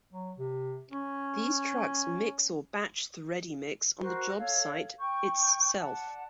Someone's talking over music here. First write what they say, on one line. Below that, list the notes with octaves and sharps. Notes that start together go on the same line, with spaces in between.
These trucks mix or batch the ready mix on the job site it's self.
F#3
C3
C#4
F#4 A#4 C5
A4 C#5 F5
G5 C#6 G6
D5 F#5 A5